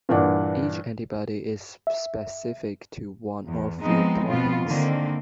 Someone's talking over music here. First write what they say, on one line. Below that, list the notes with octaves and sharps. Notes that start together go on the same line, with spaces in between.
Each antibody is specific to one or a few proteins.
G2 A#2 E3 D4 F#5 D6
E5
E2
F3 G#3 B3 C4 D#4
B2 F3 B3 C4 F4
D3 D#3 A#3 C4